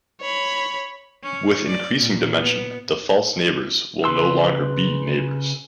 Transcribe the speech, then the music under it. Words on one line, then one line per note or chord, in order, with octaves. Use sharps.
With increasing dimension, the false neighbors will no longer be neighbors.
C#5 B5
C#4
D5
A#2
B3
C#3 B4 C6 E6